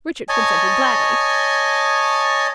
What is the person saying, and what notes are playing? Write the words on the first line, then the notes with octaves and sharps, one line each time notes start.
Richard consented gladly.
C#5 D#5 G#5 A5